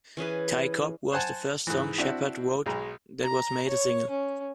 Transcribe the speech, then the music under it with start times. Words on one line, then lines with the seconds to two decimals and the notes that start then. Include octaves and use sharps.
"Ty Cobb" was the first song Shepherd wrote that was made a single.
0.17 E3 C#4 G#4 B4
1.12 C5 F#5 G#5 A5
1.67 G#2 E3
1.98 C4 D4 E4 F#4
2.66 B1 G#3 A#5
3.24 A#5
3.69 C#5
4.10 C#4